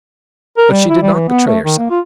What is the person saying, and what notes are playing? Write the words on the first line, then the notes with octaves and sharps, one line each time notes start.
But she did not betray herself.
A#4
G3
E4
G3
E3
B3
A3
D#3
A#3
F4